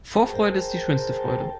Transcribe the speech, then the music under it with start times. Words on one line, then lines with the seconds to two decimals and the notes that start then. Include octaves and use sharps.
Vorfreude ist die schönste Freude.
0.24 G#4 A#4 C5 G5 A5